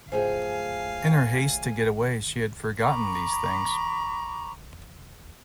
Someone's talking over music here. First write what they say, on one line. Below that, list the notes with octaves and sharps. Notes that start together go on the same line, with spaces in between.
In her haste to get away she had forgotten these things.
A2 F3 G#4 C5 F5 G#5
A#5 B5 C#6 D6